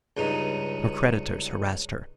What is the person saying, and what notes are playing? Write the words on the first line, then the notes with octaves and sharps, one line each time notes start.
Her creditors harrassed her.
C#2 G2 C#3 D#4